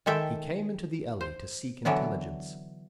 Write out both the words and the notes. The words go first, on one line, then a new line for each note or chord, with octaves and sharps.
He came into the alley to seek intelligence.
D#3 G#3 A4 E5 G5
C5
D3 E3 F#3 B3 D4